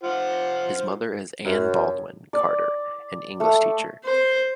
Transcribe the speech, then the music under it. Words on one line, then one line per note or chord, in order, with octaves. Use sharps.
His mother is Anne Baldwin Carter, an English teacher.
F4 C5 F#5
F#2
D5
A3
C5